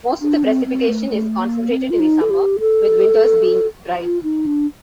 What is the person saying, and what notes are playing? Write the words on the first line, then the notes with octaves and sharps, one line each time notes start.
Most of the precipitation is concentrated in the summer, with winters being dry.
D4
C4
C4
A3
A3
A#3
C4
F4
D#4
A4
G4
A4
F4
D#4
D4